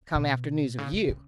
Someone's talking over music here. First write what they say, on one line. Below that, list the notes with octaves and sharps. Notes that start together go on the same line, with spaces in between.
"Come after news of you."
B2
C#3
C#3
C#3